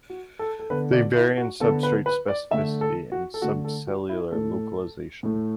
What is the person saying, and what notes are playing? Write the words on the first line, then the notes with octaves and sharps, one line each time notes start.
They vary in substrate specificity and subcellular localization.
F#4
A4
A4
D3 B3 B4
D5
E4
F#4
D3 B3 A4
B4
B4
D5
D3 A3 E5
A4
F#4
A4
D3 A3 F#4
A4
F#4
E4
A2 A3 A4
A2 A3